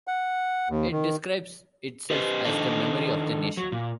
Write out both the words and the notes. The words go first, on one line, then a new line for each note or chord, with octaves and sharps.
It describes itself as the memory of the nation.
F#5
D#2
D#3
G4 B4 C5 D#5
D#3 D4 D#4 A4 C5 D#5
F#3
A#2